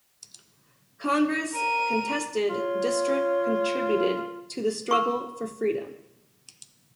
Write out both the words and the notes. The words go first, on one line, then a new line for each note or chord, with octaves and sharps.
Congress contested district contributed to the struggle for freedom.
A#4 D#7
F4 C#5
A#4 C#6